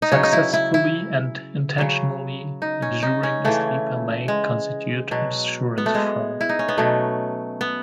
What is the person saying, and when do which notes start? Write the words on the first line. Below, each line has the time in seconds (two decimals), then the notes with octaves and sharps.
Successfully and intentionally insuring a sleeper may constitute insurance fraud.
0.02 D#4
0.12 C#3 F#3 C#4
0.23 D#4
0.33 E4
0.54 E4
0.74 E4
1.78 C#3 F#3
2.62 D#4
2.82 C#4
3.03 D#4
3.23 C#4
3.45 C#3 E3 A3
4.28 G#3
5.11 B2 F#3
5.78 B3
5.86 A3
5.95 G#3
6.41 E4
6.49 D#4
6.59 C#4
6.69 B3
6.77 B2 F#3 A3
7.61 B3